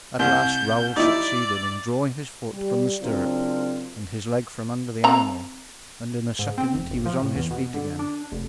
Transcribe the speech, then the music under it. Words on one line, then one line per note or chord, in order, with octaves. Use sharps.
At last Raoul succeeded in drawing his foot from the stirrup and his leg from under the animal, and in a second he was on his feet again.
C2 G6
D#4 E4 D5
G3
C#3 F#3 C4 D4 F4 A#4
C4 A#5
G#2
C4
F1
G1
F3
A2
E2
B2
D3
D4
F1